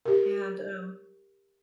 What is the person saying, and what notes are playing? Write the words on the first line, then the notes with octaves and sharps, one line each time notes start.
and, um,
G4 A#4